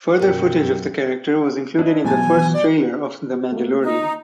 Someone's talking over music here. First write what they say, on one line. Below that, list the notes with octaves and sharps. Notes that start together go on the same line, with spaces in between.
Further footage of the character was included in the first trailer of "The Mandalorian".
F#2 B2 A#4 G5
D4 E4 D#5
B2 F#3 A3 E4 G#5 A5
E3
D5
A3 A#3
D#4